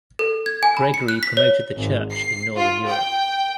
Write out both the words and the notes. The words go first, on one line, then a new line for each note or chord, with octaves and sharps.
Gregory promoted the Church in northern Europe.
A4
G#6
G#5
B5
C#7
F#6
B6
C#5
G#1
C7
F4
G5